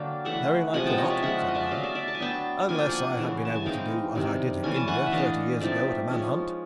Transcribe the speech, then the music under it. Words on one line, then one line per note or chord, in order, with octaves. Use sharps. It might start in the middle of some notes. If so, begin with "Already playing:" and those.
"Very likely not," said the Baron, "unless I had been able to do as I did in India thirty years ago at a man hunt."
Already playing: D3 F#3 A#3 D4 F5 G5
C#3 E3 A3 E5 F#5
C3 F3 G#3 F#5 G#5
G5 A5
C#5 D#5
D5 E5
C#3 F3 G#3 C#4 E5 F#5
D#5
D5 E5
E5
C#3 F#3 A3 D#5 F5
D5 E5
D5 E5
A5
G#5
F#3 B3 D4 G5 A5
F3 A#3 D4 G#5
G5
F#5 G#5
C#3 E3 A3
A5
G#5
E3 G#3 C4 D#4 F5 G5
C3 D#3 G3 C4
E3 A3 C#4 G#5
A5
F#5 G#5
E5
E3 A3 D4 D#5 F5
F3 A3 C4 D#4 D5 E5
F3 G#3 C#4